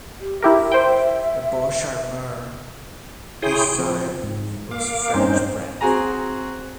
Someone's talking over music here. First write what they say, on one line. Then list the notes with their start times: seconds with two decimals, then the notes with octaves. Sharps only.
Beau Charmeur, his sire, was French bred.
0.21 G4
0.43 E4 G4 A#4 E5
0.72 C5 G5
3.42 E4 G#4 C#5 G5 C6 D#6
3.79 F3 C4
4.23 G#2
4.71 A#3 F5 D6
5.14 G2 C4 C#4 D#4 C5
5.81 C4 F#4 G#4 G#5 A#5